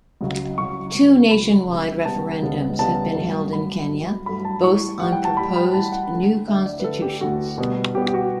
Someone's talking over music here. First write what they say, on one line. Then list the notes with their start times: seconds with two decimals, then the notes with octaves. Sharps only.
Two nationwide referendums have been held in Kenya, both on proposed new constitutions.
0.21 C#2 C#3 F#3
0.58 C#2 C#3 F#3 C#6
0.94 C#2 C#3 F#3
1.31 C#2 C#3 F#3 B5
1.68 C#2 C#3 G3 B3
2.05 C#2 C#3 G3 B3 A5
2.42 C#2 C#3 G3 B3
2.79 C#2 C#3 G3 B3 A5
3.15 G2 F#3 A3
3.52 G2 F#3 A3 B5
3.89 G2 F#3 A3
4.26 G2 F#3 A3 B5
4.45 A5
4.63 A2 E3 G3 C#6
5.00 A2 E3 G3 F#5
5.12 G5
5.25 A5
5.37 A2 E3 G3 B5
5.56 B5
5.74 A2 E3 G3 A5
5.92 F#5
6.11 D2 D3 A3
6.48 D2 D3 A3 E5
6.66 D5
6.80 B4
6.84 D2 D3 A3 A4
7.02 G4
7.21 D2 D3 A3 F#4
7.58 B2 G3 B3
7.95 B2 G3 B3 G4
8.07 G4
8.14 F#4